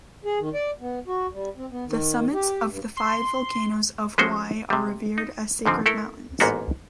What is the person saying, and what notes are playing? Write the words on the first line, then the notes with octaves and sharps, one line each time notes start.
The summits of the five volcanoes of Hawaii are revered as sacred mountains.
G#4
D#3
D5
B3
F#4
G3
C4
B3
D#3
G4
G2
C6
F3 G#3 A3 C#4 F#4 C5
C3 G3
D#4
G#2 D3 F3 C4
A3 E4 A4 A#4
A1 G#2 A#3 B3 F#4